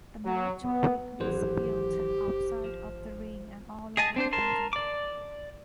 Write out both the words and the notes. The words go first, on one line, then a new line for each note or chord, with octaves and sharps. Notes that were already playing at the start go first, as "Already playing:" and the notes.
The match quickly spilled outside of the ring and all over the building.
F#3
B3
G#1 E3 F#3 G4 C5
F3
G#4 D#5 G#5 A5
C4 D4 C5
A#4 A5 C6
D5 D6